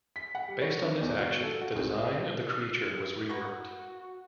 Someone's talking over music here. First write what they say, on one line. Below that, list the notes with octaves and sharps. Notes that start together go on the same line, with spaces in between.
Based on this action, the design of the creature was reworked.
B6
F#5
G3
C#5
D4
E2
F#4
A4
F#4
C2
A#3 F#4 B4 C#6